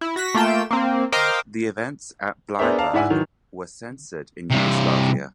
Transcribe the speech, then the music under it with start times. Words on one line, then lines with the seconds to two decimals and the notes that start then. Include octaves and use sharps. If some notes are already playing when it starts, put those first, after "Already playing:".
The events at Bleiburg were censored in Yugoslavia.
0.01 E4
0.16 F#4 A#6 B6
0.34 A3 A#3 F4 G5 E7
0.71 A#3 C4
1.12 A#4 C5 D#5 F5 G5 D6
2.59 B3 D4 G#4 A#4 C5 E5
2.78 D5 F5 A5 A#5
2.93 G#2 E4 D5 E5 F#5 G#5
3.10 D#3 E3 F#3
4.51 G2 C3